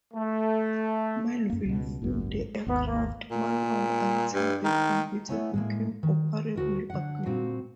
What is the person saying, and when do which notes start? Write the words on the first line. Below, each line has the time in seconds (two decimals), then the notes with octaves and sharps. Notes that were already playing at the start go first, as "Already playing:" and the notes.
Melvill flew the aircraft manually until the computer became operable again.
0.14 A3
1.50 F#2 A#3
1.66 C#2 B2
2.02 G#1 C#2 F#2
2.66 G#1 D#2 B3
2.86 A#3
3.31 A#2
4.33 G2
4.64 D#3
5.29 A3 B3 E4 C#5 G#5
5.54 A2 G#3 A#3
6.03 D#3
6.56 D2 F#4 A#4
6.90 D3 F#5
7.26 A#2 C4 F#4